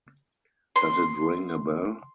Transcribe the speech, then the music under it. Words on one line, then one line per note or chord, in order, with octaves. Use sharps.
Does it ring a bell?
C6